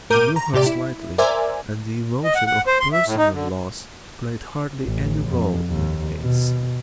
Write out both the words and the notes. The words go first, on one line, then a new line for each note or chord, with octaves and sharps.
He knew her slightly and the emotion of personal loss played hardly any role in the case.
A2 A#4 D6 G6 D#7
A#5
A2 C3 G4 D5
E4
A#4 C5 D5 E5 G#5
D#5
F#5
F#5
C5
C6
E5
A2
D#4
D3
A1
F2
D#2
B2